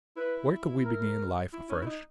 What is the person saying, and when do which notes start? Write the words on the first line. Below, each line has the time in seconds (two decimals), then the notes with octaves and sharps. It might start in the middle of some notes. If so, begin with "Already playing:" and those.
Where could we begin life afresh?
0.16 E4 B4
0.85 A#4
1.53 E4
1.69 C#4
1.82 E4
1.86 D#4